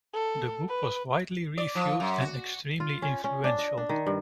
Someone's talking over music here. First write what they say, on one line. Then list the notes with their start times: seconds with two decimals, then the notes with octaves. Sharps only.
The book was widely reviewed and extremely influential.
0.14 A4
0.68 B4
1.58 D5
1.75 F3
2.00 F#2
2.21 F#4
2.80 F4
3.02 C#4
3.24 C#4
3.44 D4
3.59 D#5
3.77 D4
3.89 D#3
4.07 G2